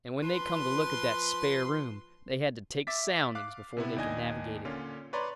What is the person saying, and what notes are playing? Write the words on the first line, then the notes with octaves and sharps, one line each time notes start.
And when they come to look at that spare room they had to take soundings before they could navigate it.
F3 B4 C6
E5 D6 A6 B6
F5 D6 F#6
C3 B3 E4
D#2 D4 D#5 G#5 G#6
A#2 D3 C#4 F4
B4 C#5 D5 A#5 C6